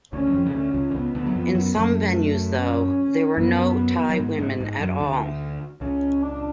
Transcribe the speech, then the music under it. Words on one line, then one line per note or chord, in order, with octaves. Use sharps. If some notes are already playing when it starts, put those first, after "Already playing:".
In some venues though, there were no Thai women at all.
D2 D3 C#4
F#3
F2 F3
C#3
D2 D3 C#4
C#2 C#3
D3
C#2 C#3 B3
D2 D3
F#3
F2 F3
F#2 F#3
F#2 F#3 A3
C#4
F#2 F#3 B3
F#3
G#2 G#3
G#2 G#3
G#2 G#3
F#2 F#3
D2 D3
C#2 C#3 C#4
D4